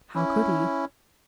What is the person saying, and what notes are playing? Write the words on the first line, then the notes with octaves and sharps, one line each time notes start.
How could he?
C#4 E4